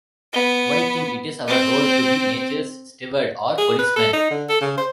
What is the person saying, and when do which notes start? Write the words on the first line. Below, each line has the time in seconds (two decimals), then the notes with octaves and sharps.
Why think it is our role to be nature's steward or policeman?
0.33 B3
1.47 C4
3.58 G#4
3.79 B4
3.96 A4
4.13 D#4
4.31 D3
4.49 A4
4.61 C#3
4.77 C5